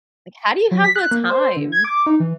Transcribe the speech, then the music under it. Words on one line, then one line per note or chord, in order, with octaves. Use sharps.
Like, how do you have the time?
F#3
B6
F#6
A#3
C5
C5
D3
G#6
D6
D#4
E3